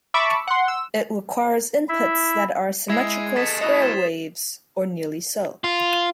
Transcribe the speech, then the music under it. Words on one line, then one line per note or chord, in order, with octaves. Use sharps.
It requires inputs that are symmetrical square waves, or nearly so.
E5 A5 B5 C#6 D6 E6
F#5 C6
E6
E4 E5
G#3 E4 G#6 C7
G#4 A4 D#5 A6 B6 E7
E4 F#4 A4 D#5 D#6
C5 A6 E7
F4